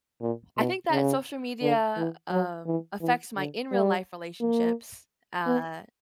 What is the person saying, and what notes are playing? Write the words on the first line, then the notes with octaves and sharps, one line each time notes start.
I think that social media, um, affects my in real life relationships, uh,
A#2
B2
C#3
D3
E3
F#3
E3
E3
D3
G3
A#3
B3